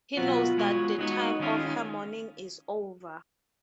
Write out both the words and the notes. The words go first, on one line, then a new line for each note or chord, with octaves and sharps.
He knows that the time of her mourning is over.
B2 F#3 B3 F4 F#4
G#3 B3 F#4 C#5
G#3 B3 D#4 F#4 C#5
D#3 G#3 C#4 F4 G#4